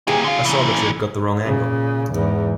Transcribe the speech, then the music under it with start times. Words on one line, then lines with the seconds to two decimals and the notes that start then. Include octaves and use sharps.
I saw that she had got the wrong angle.
0.08 A#2 G4 G#4
0.24 D3 F5
0.44 A#2 E3
1.42 A#2 C#3
2.11 E2 G#2